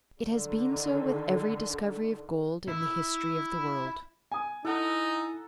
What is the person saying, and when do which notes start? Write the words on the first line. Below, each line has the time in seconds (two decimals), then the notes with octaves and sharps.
It has been so with every discovery of gold in the history of the world.
0.20 D3 D#3
2.68 E4
4.32 G#5 D#6
4.65 D#4 E4 A4 F#5 A#5